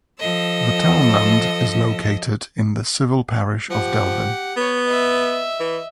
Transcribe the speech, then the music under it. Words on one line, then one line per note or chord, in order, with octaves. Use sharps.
The townland is located in the civil parish of Delvin.
F3 A4 D#5 E6
F3 G4 F#5
B3 B4 C#5
D#5 E5
E3